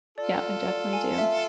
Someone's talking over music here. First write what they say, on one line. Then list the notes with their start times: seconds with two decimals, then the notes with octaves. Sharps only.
Yep, I definitely do.
0.18 F4 A4 D5
0.43 D5
0.68 D5
0.93 G#5
1.18 E5